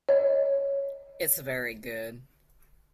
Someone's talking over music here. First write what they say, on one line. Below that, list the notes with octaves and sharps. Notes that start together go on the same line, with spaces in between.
It's very good.
C#5 D#5